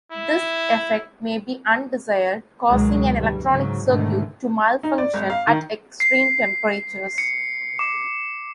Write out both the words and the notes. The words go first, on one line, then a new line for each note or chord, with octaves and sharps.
This effect may be undesired, causing an electronic circuit to malfunction at extreme temperatures.
E4
C#2 B2 D#3 F#3 G#3
G1 E2 G3
G#2 C#3 F#3
G#2 B2 D3 D#3 A3
D#4
D5
G#1
F5
D#3
C7
C#7
D6